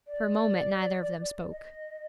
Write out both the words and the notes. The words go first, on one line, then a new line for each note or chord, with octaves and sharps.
For a moment neither of them spoke.
D5
D#5